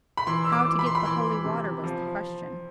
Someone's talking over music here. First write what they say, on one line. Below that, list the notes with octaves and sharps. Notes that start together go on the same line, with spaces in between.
How to get the holy water was the question.
B5
E3 C6
E6
D6
E3
B5
C6
B5
E3 C6
C3
F3